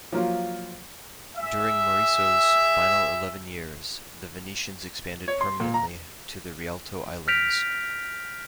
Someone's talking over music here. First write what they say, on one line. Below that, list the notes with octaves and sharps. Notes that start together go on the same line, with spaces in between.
During Maurizio's final eleven years, the Venetians expanded permanently to the Rialto islands.
F3 F#3 A#3 F4
G#4 E5
C#5
C6
A#2
A#5
F6 G6 A#6 B6 D7 F7